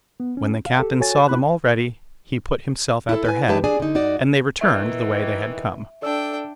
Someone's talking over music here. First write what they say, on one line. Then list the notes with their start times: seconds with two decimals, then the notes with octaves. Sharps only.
When the captain saw them all ready, he put himself at their head, and they returned the way they had come.
0.20 B3
0.37 C#4
0.66 F5
0.79 G4 A4
1.00 F#4 A4 C#5 G#5 A6
1.28 B3 E4 B5 F#6
3.09 E4 A4
3.25 B4 G#5
3.47 E3 G#3 D#4 G4 B4 A5
3.64 D4 G#4 D5 G#5
3.80 D3 D#4
3.95 G#2 D#4 F#4 D5
4.61 D#3 E3 E5
6.02 D4 A4 D5 G5 E6